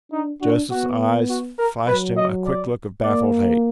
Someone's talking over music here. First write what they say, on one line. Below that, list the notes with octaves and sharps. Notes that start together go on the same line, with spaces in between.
Joseph's eyes flashed him a quick look of baffled hate.
D4 D#4
D4 F#4
B3 F#4
F#4
A#4
F#3 B4
D#5
D5
A#3 D5